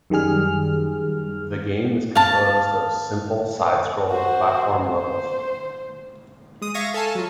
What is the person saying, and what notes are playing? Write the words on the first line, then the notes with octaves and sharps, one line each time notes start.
The game is composed of simple side-scrolling platform levels.
F#2 D#3 G3 G#4 F6
F5 A5
F#4 C5
C5
G#3 D#6
E5 F5 C#6 G#6 A#6
A4 F5 G#5 A5
F#3 F4